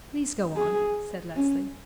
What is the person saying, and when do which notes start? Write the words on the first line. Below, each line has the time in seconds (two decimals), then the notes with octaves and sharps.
"Please, go on," said Leslie.
0.56 G#4
1.36 C#4